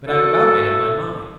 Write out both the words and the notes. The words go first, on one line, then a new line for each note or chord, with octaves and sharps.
But I've about made up my mind.
A3 E4 F#4 A4